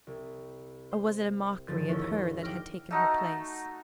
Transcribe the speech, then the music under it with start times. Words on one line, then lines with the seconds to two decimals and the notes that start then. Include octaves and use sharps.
Or was it a mockery of her that had taken her place?
0.07 C2
0.91 C5
1.68 G#1 D3 F3 B5 A6
1.88 D#2 B3 C#4 E4 B6
2.42 G5 D6 F6 A#6
2.91 A3 D#4 F#4